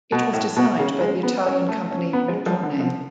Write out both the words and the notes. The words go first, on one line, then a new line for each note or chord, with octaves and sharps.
It was designed by the Italian company Bertone.
B2
A2
B2
C#3
G#3
B3
C#4
A3
C#4
B3
G#3
F3
D3
F3